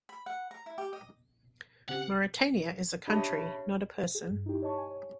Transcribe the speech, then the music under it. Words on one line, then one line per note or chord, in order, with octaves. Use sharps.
Mauritania is a country, not a person.
B5
F#5
A#5
E4
G4
D#5
C#3 C4 G4 F#5
C#3 D4 G4 D#5 E5 A5 B5
G#4
G2
D#4 E4 G4
C#5 D#5 A5 C#6
G#5
C#5